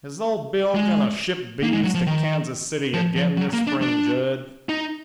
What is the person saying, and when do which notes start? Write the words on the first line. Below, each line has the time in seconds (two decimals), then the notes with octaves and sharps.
Is old Bill going to ship beeves to Kansas City again this spring, Jud?'
0.75 G#3
1.63 A#3
1.73 G#3
1.84 F#3
1.95 F3
2.07 D#3
2.94 F3
3.16 F3
3.37 F#3
3.53 A#3
3.67 D4
3.82 D4
4.69 D#4